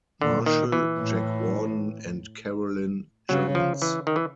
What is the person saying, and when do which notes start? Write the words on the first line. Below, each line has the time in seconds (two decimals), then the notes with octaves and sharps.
Marshall, Jack Warden and Carolyn Jones.
0.21 A#2 D3
0.46 D#3
0.72 E3
0.99 A2
3.29 C#3 F#3
3.55 F3
3.82 E3
4.07 D#3
4.16 E3